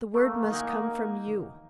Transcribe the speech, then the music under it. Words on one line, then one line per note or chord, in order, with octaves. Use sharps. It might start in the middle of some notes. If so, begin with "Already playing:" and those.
The word must come from you.
A3 A#3
D#4 F#5 G#5